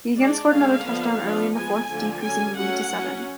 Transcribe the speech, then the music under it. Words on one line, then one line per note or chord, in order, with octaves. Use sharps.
He again scored another touchdown early in the fourth decreasing the lead to seven.
G#3 D4 D5
D3 G#3 C#4 F5
D3 F3 B3
F3 B3 D4
F3 G#3 B3 G#5
D3 F3 A3
D3 F#3 C#4 G#5
F#3 A3 C#4 F#5
F#3 C#4